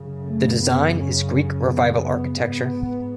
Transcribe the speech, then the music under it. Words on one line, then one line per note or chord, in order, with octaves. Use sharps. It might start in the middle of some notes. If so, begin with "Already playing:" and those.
The design is Greek Revival architecture.
Already playing: F#2 C#3
A3
B3
C#4
B3
B3
G#2 B3